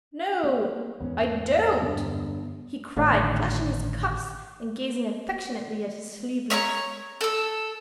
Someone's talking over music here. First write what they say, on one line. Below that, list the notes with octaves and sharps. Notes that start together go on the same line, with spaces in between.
'No, I don't,' he cried, flashing his cuffs and gazing affectionately at his sleeve-links.
A#3
E2 G#2 B3 C#4
G1 D3
G#1 A2 D3
C#5 E5 A#5 C#6
A4 E6